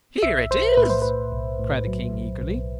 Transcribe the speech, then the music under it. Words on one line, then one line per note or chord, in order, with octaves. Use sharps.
"Here it is," cried the King eagerly.
B1 E5
B1 C5
A2 B4
C5
A2 B4
B1
A2
F#3
B1
B1